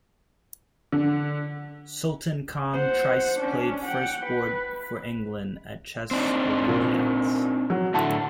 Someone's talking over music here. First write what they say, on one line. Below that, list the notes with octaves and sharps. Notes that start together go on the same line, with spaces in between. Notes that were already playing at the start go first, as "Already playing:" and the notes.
Sultan Khan thrice played first board for England at Chess Olympiads.
D3
C5 F#5
C#4 D4
F#5 G5
B4
C4 D4 D#4
A#2
F#3
A2 D3 A3 F#5 A5